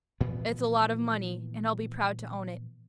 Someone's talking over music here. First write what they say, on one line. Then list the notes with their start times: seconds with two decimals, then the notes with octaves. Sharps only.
"It's a lot of money, and I'll be proud to own it."
0.21 A#2 E3 F3 B3